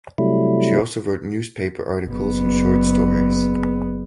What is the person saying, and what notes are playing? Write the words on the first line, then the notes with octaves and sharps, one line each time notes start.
She also wrote newspaper articles and short stories.
C3 F#3 G3 A3 E4
F#1 B3